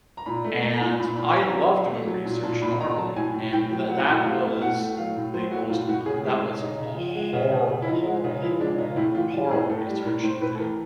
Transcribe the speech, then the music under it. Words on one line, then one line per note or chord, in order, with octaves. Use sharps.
and I love doing research normally and th that was the most, uh, that was a horrible, horrible, horrible, horrible research to do.
A#5
A#2 B5
A3
A3 A#5
A#2
A#2 B5
A#2 B5
F#3 A#5
F#3
F#3
A3
F#3
A#2
A#2 A5
A#2 B5
A#2 A#5
F#3 A5
A2 G#5
A2
A2 G5
F#3
F#3 F#5
A2
F#5
A3 F5
A3
A2 F#5
A3
F#3 F5
A2
F#3 C5
A3 F#4
A2 F4
A2 F#4
C#3 G#4
G#3 G4
C#3
C#3 D#4
C#3
F3
G#3
C#3
C#3
C#3
E4
F3 D#4
G#3
C#3 D#4
F3 E4
G#3 D4
C#3 D#4
F4
A2 E4
E3 F4
G3 F4
A2 G#4
A2 A4
G3
A2 A#4
A2 C5
A2 B4
A4
E3 A#4